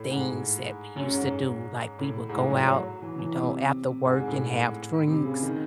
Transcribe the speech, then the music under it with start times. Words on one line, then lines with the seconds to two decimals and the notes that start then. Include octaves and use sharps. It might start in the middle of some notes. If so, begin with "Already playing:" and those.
things that we used to do. Like, we would go out, you know, after work and have drinks,
Already playing: A2
0.10 G#2
0.96 F#2
1.13 G#2
1.99 A2
2.29 G#2
2.34 A2
2.50 F#3
2.67 F#3
3.02 E3
3.19 E3
3.36 C3
4.05 G#2
4.16 G#2
4.28 A2
5.08 C3
5.25 C#3
5.42 D#3